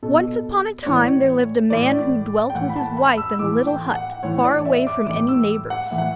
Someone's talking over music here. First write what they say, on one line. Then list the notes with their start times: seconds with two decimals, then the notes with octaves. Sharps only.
Once upon a time there lived a man who dwelt with his wife in a little hut, far away from any neighbours.
0.03 B2 A4
0.83 D5
0.86 A2 E3 C#5
1.70 A2 E3 D5
2.50 G5
2.55 A2 E3 F#5
2.69 B5
2.76 A5
2.97 B5
3.17 E6
3.39 A2 E3 D6
3.67 G5
3.95 F#5
4.23 A2 E3 C#5
4.44 D5
4.65 E5
4.87 D6
5.07 A2 E3 D6
5.28 E6
5.70 F#5
5.91 A2 E3 E5
5.98 F#5